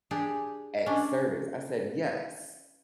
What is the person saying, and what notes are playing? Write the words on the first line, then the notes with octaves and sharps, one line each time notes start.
X service." I said, "Yes,
D4 G4 G#4
C#4 D4